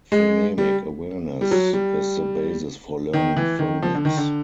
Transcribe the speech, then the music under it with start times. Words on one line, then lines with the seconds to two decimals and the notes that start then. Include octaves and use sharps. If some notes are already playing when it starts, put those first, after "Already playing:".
Phonemic awareness is the basis for learning phonics.
0.12 G#3
0.58 G3
1.41 G3
1.51 F#3
1.73 G3
3.13 D#3
3.37 E3
3.59 D#3
3.82 F3
3.94 D3
4.05 D#3
4.17 D3